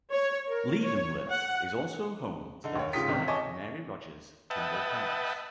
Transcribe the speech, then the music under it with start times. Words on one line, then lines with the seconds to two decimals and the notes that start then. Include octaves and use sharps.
Leavenworth is also home to the historic Mary Rogers Kimball House.
0.12 C#5
0.49 A#4
0.81 C#5
1.29 F#5
2.64 D3 D#4
2.76 D#2 C#5
2.93 G#2 C#3 F4 G4 D#6 B6
3.08 E1 C#2 C3 D#3
3.28 C#5 D#5 G#5 A5 C#6 D6
4.50 B4 D#5 E5 F#5 G5 A5